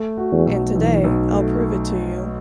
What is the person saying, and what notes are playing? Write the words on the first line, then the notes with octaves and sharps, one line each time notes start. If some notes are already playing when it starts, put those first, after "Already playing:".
And today I’ll prove it to you.
Already playing: A3
F#4
E2
B1
B1 E3
B1
A3